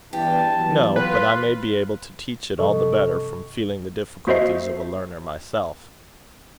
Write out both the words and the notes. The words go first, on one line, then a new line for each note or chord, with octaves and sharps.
"No; but I may be able to teach it all the better from feeling the difficulties of a learner myself."
E2 G2 E3 G4 A5
E3 F#3 B3
F4 B4
G2 C3 F3 A4 D#5 C#6
A#3 F#4 C5 D#5 E5 C7